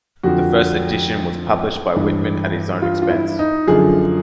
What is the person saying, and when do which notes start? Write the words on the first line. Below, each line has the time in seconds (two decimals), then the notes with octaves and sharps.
The first edition was published by Whitman at his own expense.
0.23 F2 D3 F3 F#4
1.96 G2 E3
2.82 F4
3.02 F4
3.10 E4
3.39 D#4
3.67 F#2 D3 F3 G#4